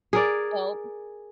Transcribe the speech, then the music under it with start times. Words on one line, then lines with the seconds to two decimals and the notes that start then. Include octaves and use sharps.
Well, m
0.13 G#4 A#4 D5